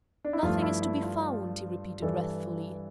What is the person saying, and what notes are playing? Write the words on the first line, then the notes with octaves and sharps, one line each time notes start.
"Nothing is to be found!" he repeated wrathfully.
D4
E4
G2 F3 A3 F4
E4
E4
F4
G2 E3 G3 A4